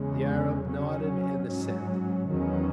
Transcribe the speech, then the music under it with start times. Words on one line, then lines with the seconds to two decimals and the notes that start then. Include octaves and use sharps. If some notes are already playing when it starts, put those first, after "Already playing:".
The Arab nodded an assent.
Already playing: E2 C#3 G#3 C#4
0.67 C#3 F#3 C#4
1.47 G#2 F#3 C#4
2.28 E2 D#3 F#3 C#4